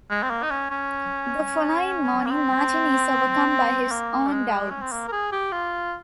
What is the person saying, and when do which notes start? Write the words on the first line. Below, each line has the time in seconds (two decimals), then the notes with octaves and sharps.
The following morning Martin is overcome by his own doubts.
0.10 G#3
0.23 C4
0.30 A#3
0.43 D#4
0.50 C#4
0.70 C#4
2.26 A#3
2.31 C4
3.91 A#3
4.27 G3
4.32 G#3
4.71 C#4
4.81 C4
4.92 A#3
5.08 A#4
5.12 G#4
5.32 G4
5.52 F4